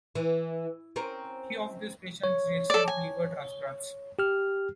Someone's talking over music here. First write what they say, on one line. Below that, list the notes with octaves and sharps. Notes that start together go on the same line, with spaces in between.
Few of these patients received liver transplants.
E3
C4 C#4 A#4
C#5
A4 D5
G#5
G4 F6